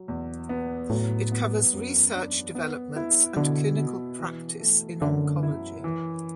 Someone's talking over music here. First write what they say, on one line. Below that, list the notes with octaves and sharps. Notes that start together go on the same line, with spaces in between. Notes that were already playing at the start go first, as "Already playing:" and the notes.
It covers research developments and clinical practice in oncology.
Already playing: F#3
E2
B3
A2 F#3
B3
F#2
D4
B3
E4
B2 D3
B2
E3
A3
F#2 D3
E4
E3